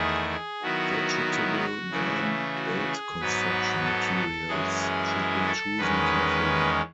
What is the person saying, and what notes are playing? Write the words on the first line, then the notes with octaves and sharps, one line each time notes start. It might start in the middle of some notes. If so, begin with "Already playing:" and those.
Vegetable garden bed construction materials should be chosen carefully.
Already playing: E2 D#3 A3 E4 G#4
G#4
D#3 F#3 B3 E4 F#4
E4
F#4
C#3 E3 A3 E4
E4
F#4
G#4
G#2 F#3 B3 B4
A4
F#2 E3 G#3 C#4 E4 G#4
G#4
A4
E2 D#3 G#3 C#4 B4